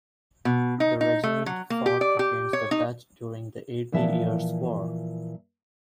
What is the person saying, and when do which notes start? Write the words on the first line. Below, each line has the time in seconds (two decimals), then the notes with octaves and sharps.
The regiment fought against the Dutch during the Eighty Years' War.
0.45 B2
0.80 D#4
1.01 D#4
1.24 A3
1.46 F#3
1.70 A#3
1.86 G4
2.01 D5
2.19 G4
2.53 C#5
2.71 D#4
3.92 A#2 E3 F3 E5 A5